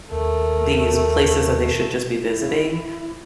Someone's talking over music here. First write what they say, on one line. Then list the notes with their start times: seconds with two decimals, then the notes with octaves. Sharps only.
these places that they should just be visiting.
0.11 D#2 A3 A#4
2.16 E4